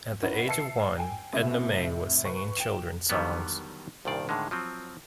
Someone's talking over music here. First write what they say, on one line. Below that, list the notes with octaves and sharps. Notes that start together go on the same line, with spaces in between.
At the age of one, Edna Mae was singing children's songs.
C#4 D#4 E4 F#4 A#4 B4
E5 A5 E6 C7 C#7
G5 G#5
A2 C3
B4 C#6
G5 E7
D3 D#3 F#3 G3 B3
C2 G2 A#2 D#3 D5 F5
A2 D3 D#3 G#3
F3 F#3 C4